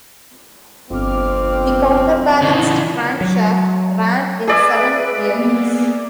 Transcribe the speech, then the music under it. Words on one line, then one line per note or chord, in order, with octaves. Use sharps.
The counterbalanced crankshaft ran in seven bearings.
G1 F2 C4 D6 F6
C#3 E3 D#5 C#6
F#3
G#4 B4 D5 E5
A#3 B3